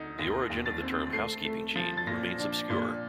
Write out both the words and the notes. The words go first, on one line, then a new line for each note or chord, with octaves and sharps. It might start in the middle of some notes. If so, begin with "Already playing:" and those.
The origin of the term "housekeeping gene" remains obscure.
Already playing: D2 D#4
D#2 A#6
D#2
A6
C4
A3 C7
A3
F3
A6
A#2 A#6
D4
A#2